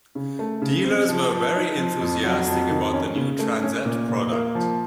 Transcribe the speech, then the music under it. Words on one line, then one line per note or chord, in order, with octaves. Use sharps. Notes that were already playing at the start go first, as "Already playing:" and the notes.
Dealers were very enthusiastic about the new Transette product.
C#3
A3
C#3
C4
F3
F3
D#4
F3
F2
F#3
F2
D#3
C#4
C#3
A3
C#4
A#2
A#2
A#3
F3